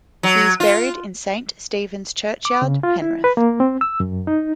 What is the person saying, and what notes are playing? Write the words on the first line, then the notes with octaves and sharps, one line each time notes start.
He is buried in Saint Stephen's churchyard, Penrith.
F#3
F4
D6
C#3
F4
E4
B4
A#3
C4
E6
F#2
D#4